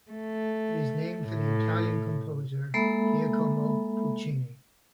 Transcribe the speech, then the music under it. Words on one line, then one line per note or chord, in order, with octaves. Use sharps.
It is named for the Italian composer Giacomo Puccini.
A3
A2
G#3 A#3 A4 E5 B5